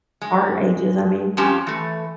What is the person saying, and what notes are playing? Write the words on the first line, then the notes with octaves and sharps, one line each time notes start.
our ages, I mean.
G#3
F2 F3 C#4 G4 G#5 A5
E3 A3